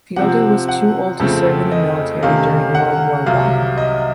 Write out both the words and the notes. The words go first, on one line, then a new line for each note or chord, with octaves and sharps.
Fielder was too old to serve in the military during World War One.
C3 F3 C4 F#5
F#5
F2 C#3 A3 C4 A4
D#5
C3 D#3 A3 C#4 F5
F#5
C2 C3 F#3 F5
D#5